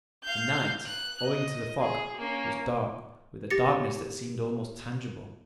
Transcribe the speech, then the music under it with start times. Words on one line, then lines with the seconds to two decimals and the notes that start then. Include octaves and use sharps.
The night, owing to the fog, was dark with a darkness that seemed almost tangible.
0.23 F5 G6
0.86 F#6
1.26 D#5
1.80 G#4
2.17 A#3 C#4
3.50 G4 A6 A#6 C#7